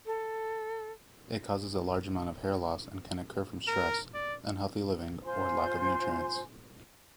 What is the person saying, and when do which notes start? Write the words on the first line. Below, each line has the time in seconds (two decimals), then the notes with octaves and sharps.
It causes a large amount of hair loss and can occur from stress, unhealthy living or lack of nutrients.
0.06 A4
3.68 A#4
4.14 D5
5.24 F4 C5 G#5 C6